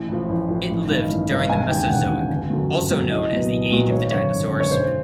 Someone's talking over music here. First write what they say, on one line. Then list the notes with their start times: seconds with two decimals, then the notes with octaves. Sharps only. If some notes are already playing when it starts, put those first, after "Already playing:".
It lived during the Mesozoic, also known as the age of the dinosaurs.
Already playing: A1
0.08 A2 F3
0.29 A1
0.48 A2 F3
0.69 A1
0.89 G2 D#3
1.09 A1
1.29 G2 D#3
1.50 E1 G#5
1.70 D#2 C#3 G5
1.89 E1 F#5
2.09 D#2 C#3
2.30 G1
2.50 F#2 D3 F#3
2.70 G1
2.91 F#2 D3 F#3
3.10 C2 D#5
3.31 A#2 F#3 B3
3.50 C2
3.70 A#2 F#3 B3
3.91 G#1 C#5
4.11 F#2 D3 C#5
4.31 G#1
4.51 F#2 D3
4.60 C#5
4.71 B1 C5